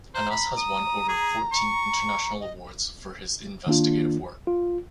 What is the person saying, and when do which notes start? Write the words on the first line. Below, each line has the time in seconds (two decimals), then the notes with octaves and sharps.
Anas has won over fourteen international awards for his investigative work.
0.15 C5 A#5
0.31 B5
0.57 D#6
1.08 G#4
1.52 C#6
2.40 D#5
3.67 D#3 A#3 D4 F4
4.47 F4